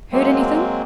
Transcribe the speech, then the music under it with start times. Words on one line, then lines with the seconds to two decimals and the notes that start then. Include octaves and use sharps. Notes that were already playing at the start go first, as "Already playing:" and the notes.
Heard anything?'
0.13 F#3 G#3 A#3 C4